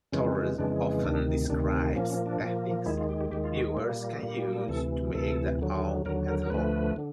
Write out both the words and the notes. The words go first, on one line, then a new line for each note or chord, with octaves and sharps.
Torres often describes techniques viewers can use to make their own at home.
F2 C#3 E3 G#3 C#4
C4
C#4
F2 C#3 E3 G#3 D4
D2 C3 D#3 D4
D2 C3 D#3 D4
C4
A#2 F3 A#3 C#4
C#4
D4
A#2 F3 A#3
D#2 D#3 G#3 E4
F4
G4
G4
D#2 D#3 G#3 G4
F4
F#4
A#2 G3 A#3
A#2 G3 A#3
G4
A4
D2 C3 E3 A4
D2 C3 E3 A4
D#2 D3 F#3
D#2 D3 F#3 A#4
A#4
A#4
D2 D3 F3 A3 B4
D3